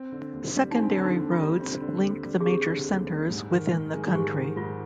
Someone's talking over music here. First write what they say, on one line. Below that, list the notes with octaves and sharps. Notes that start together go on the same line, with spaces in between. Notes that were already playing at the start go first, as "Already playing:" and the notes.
Secondary roads link the major centers within the country.
Already playing: C4
D3
D#2
G3
D#4
C4 D4
D3
D#4
D#2
F4
G3
C4
D3
D#2
G3
G#4
C4 G4
D3
D#2
G3
G#2
D#3
G#2
G#3
G#2 G4
D#3
G#2 F4